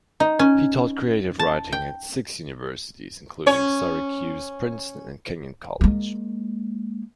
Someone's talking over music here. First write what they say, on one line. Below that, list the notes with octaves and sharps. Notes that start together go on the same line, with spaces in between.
He taught creative writing at six universities, including Syracuse, Princeton, and Kenyon College.
D#4
C#4
A5
G5
C#4 C#5
G#3 A#3